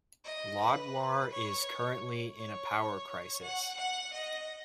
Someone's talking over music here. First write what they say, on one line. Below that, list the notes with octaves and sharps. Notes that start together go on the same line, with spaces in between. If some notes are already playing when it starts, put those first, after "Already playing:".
Lodwar is currently in a power crisis.
D#5
B4
C#5
C#5
F#5
F#5
D#5